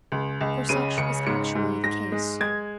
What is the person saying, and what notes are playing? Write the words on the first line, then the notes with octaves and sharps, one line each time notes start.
For such was actually the case.
C#2
C#2
C#3 D#7
C#2 C#7
G#2 C#7
G#2
G#2 A#6
G#3
G#3 G#6